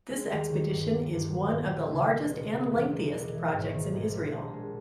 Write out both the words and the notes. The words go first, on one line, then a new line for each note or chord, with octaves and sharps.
This expedition is one of the largest and lengthiest projects in Israel.
G#3
D#2
D#3
G1
G3
G1
A#3
A#2
G3
C#2
G3
B1
G#3
E2
A#3
B1
E3
G#1
D#3
G#1
G3
A#1
G#3